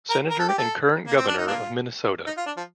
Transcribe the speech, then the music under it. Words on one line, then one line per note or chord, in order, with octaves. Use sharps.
Senator and current Governor of Minnesota.
A#4
A#4
A4
G4
A4
A#3
C4
D4
D#4
A#3 D4 F4
D#4
F4
D4
F3